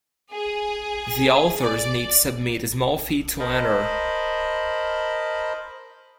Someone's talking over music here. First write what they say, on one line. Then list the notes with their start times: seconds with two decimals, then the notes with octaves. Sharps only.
The authors need to submit a small fee to enter.
0.33 G#4
1.61 D5
3.40 A#4 C5 D#5 A5 B5